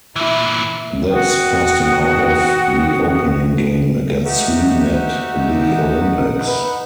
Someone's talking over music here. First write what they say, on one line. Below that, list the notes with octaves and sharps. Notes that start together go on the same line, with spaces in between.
This forced him out of the opening game against Sweden at the Olympics.
A#2 E3 E4
F#4 G5 D#6
D#4 F#4 G4 E5 F#5
B4 E5